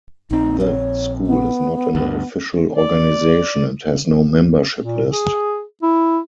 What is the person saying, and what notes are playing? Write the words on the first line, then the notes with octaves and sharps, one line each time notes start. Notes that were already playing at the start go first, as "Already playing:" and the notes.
The school is not an official organization and has no membership list.
A#1 C4 D#4
C#5
B3
D2 G2
D5
A#2
G#4
E4